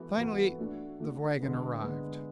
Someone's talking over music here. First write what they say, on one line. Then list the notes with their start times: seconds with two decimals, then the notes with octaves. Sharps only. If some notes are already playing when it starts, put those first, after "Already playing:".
Finally the wagon arrived.
Already playing: E3 B3 F#4 A4
0.18 E3 B3 F#4 A4
0.58 A3 D4 F#4 A4
1.00 A3 D4 F#4 A4
1.40 D3 G#3 B3
1.82 D3 G#3 B3